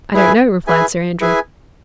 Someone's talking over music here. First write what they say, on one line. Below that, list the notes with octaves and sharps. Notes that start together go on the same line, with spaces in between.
"I don't know," replied Sir Andrew.
E4 G#4 B4 E5 G#5
E4 G#4 B4 E5 G#5
E4 G#4 B4 E5 G#5